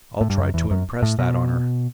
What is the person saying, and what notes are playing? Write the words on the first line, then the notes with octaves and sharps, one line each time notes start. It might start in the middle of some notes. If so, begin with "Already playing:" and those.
I'll try to impress that on her.
A2
G2
F#2
E2
F#2
A2
B2